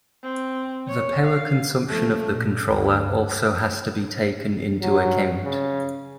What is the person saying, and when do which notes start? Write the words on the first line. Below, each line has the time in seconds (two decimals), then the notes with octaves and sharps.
The power consumption of the controller also has to be taken into account.
0.23 C4
0.87 C#5
1.24 F5
1.87 F3 A3
2.30 A#2
2.63 D2 G2
4.81 F#3
5.44 C#3